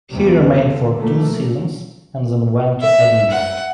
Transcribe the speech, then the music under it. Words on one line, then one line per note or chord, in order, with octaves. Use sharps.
He remained for two seasons and then went to Edinburgh.
E2 C3 E3 F#3 G3 B3
D3
B2 F3 A3 A#3
E5
F#5